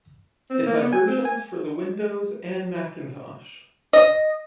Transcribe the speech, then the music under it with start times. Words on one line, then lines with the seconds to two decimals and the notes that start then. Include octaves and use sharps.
It had versions for the Windows and Macintosh.
0.50 C4
0.66 A#3
0.81 B3
0.92 G#5
1.07 C4
1.25 G#5
3.93 D#5